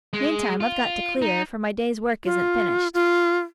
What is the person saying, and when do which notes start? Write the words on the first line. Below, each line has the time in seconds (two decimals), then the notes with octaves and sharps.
Meantime, I've got to clear, for my day's work isn't finished.
0.13 G#3
0.60 F4
1.22 D#4
2.24 F4
2.94 F4